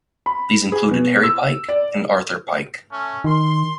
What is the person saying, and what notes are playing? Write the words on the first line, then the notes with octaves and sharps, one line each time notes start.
These included Harry Pike and Arthur Pike.
B5
G#4
B2
E6
D5
A3 C#4
D#3 C6